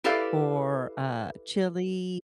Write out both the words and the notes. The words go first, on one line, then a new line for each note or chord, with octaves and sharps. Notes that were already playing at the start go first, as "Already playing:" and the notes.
or, uh, chili
E4 G4 A4 B4 D5 F5